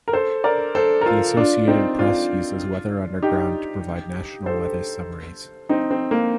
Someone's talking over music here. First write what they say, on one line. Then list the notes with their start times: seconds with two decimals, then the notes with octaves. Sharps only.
The Associated Press uses Weather Underground to provide national weather summaries.
0.08 A#4
0.13 A4 C5
0.44 A#4 D5
0.75 A4 C5
1.01 A#4
1.06 F4 A4
1.37 D4 F4
1.68 C4 D#4
1.99 D4 F4
3.22 D#4 G4
4.46 A4 C5
5.69 C4 D#4
5.91 C4
6.11 A#3